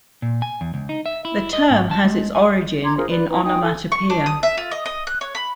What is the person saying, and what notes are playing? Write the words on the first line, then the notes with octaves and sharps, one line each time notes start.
The term has its origin in onomatopoeia.
A#2
G#5
E2
C#2
D#4
E5
E4
D#5
G#2
A5
G#3
G#5
A#5 C6 D6 G#6
F4 G#4 A#4 C5
B4 D5
E4 B4 G#5 A#5
D#4 G5 G#5 D#6
A4 G#5
C#6
D4
D#6
E5
F4
D#5
D#5
F#6
C#5
B5